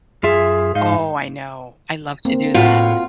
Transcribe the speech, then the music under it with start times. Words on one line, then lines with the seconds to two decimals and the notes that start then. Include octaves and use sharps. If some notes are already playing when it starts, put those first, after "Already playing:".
Oh, I know. I love to do that.
0.23 F#2 F4 G#4 E5
0.75 G#2 D#4 F5
2.25 A#3 C4
2.55 A2 F4 F#4